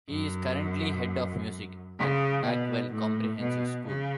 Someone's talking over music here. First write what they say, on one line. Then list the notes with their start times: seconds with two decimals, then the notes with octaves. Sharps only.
He is currently head of music at Backwell Comprehensive school.
0.10 F#2
1.99 C#3
2.45 B2
2.92 A2
3.40 B2
3.86 C#3